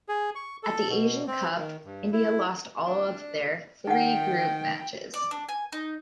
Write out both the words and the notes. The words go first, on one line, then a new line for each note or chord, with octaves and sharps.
At the Asian Cup, India lost all of their three group matches.
G#4
C#6
A4
B2
C4
D#3
G2
E4
D4
D#3 D#4 F#5 G5
D5
D4
G#5
D#4